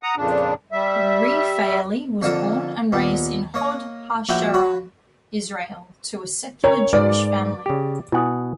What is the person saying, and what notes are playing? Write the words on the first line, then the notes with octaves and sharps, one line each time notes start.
Refaeli was born and raised in Hod HaSharon, Israel, to a secular Jewish family.
F#5 A#5 D#6
F2 A#2 C#3 D4
G3 E5
F2 D3 A#3 F4 A4
D#2 A#2 B3
A#3 C#5 D#5
A#1 E4 F#4 E5 G5
F#4 C#5 B5
C#4 A#4 C#5 A#5
G#2 B4 D5
C#3 G4
B2 E4 F#5 G#5 D#6